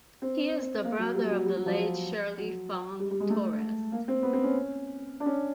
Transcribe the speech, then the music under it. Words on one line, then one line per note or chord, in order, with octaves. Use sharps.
He is the brother of the late Shirley Fong-Torres.
C4
A#3
F#3
G3
F#3
G3
F#3
F3
F#3
G3
G3
G#3
A3
A#3
C4
B3
C4
C#4
D4
C#4